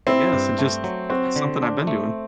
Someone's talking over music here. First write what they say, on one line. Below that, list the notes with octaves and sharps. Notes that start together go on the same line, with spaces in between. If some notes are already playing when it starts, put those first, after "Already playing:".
I guess it's just, it's something I've been doing.
C4 E4
G2
A3
F#3
C4 F#4
D3
D4
A3